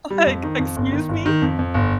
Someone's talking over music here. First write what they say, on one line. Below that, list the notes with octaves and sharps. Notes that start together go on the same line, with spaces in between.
Like, excuse me?
G3
F2
D#3
F2
G1
D#3
G1
D#3
F2
F2
G1